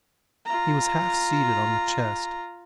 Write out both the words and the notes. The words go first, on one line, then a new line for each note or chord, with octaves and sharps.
He was half seated on the chest.
F4 A#5